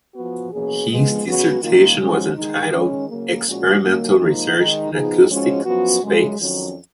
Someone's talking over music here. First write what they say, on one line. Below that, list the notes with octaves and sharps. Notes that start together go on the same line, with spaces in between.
His dissertation was entitled "Experimental Research in Acoustic Space".
F3 B3 F#4
B2 A#3 C#4 G#4
F2 F3 G#3 B3
C#3 F#3 B3 F#4
F#2 D#3 A#3 F4
G#2 F3 G#3 C#4 F#4
D#3 G#3 D#4
D#3 G#3 C#4 G#4
C#3 F#3 A#3
A#2 F3 G#3 C#4 F#4
D#3 F#3 A#3
G#2 F3 A#3 D#4
D#3 G#3 D#4
F3 B3 D#4 G#4
G#2 F3 G#3 C#4 F#4
F#2 F3 B3 F#4
F#2 C#3 G#3
F2 D#3 F#3 C#4